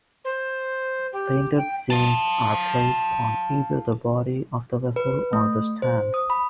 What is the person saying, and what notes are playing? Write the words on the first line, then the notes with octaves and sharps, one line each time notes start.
Painted scenes are placed on either the body of the vessel or the stand.
C5
G4
G5
F5 A5
B4
A3
C5
D#6
B5